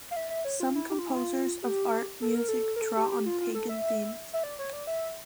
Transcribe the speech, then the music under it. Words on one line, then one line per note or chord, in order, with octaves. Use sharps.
Some composers of art music draw on Pagan themes.
F5
E5
E5
C#5
F4
E4
G4
F4
E4
F4
G4
A4
A#4
A4
A#4
A4
G4
G4
F4
F4
A4
E5
E5
D5
C#5
D5
E5